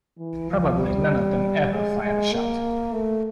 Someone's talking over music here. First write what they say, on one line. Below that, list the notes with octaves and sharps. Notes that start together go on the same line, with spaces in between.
Probably none of them ever fired a shot.
E3
F3
G3
G#3
G#3
A#3
A3